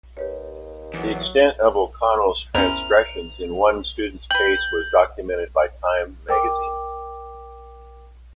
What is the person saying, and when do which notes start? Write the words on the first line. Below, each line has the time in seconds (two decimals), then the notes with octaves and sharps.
The extent of O'Connell's transgressions in one student's case was documented by "Time" magazine.
0.17 D#2 G4 B4 C#5
0.94 E2 F#3
2.55 E2 C4 C#4 E4 A#4 F7
4.31 B4 G5 G6 F#7
6.29 A#4 G5 D6